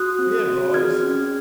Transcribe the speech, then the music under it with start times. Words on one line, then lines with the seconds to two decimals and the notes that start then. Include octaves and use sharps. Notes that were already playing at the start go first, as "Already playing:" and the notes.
Here, boys!
Already playing: F#4 D#6 F#6
0.19 C4
0.47 F#4
0.74 G#4 F6 G#6
1.03 C#4